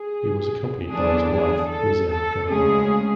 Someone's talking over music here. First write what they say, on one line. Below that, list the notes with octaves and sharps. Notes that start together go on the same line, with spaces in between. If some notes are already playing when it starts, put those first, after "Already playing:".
He was accompanied by his wife, Misao Gamo.
Already playing: G#4
E2 D3 F#3 B3 D4 G#4
G#4
A4
A4
D2 C#3 G#3 C#4 G#4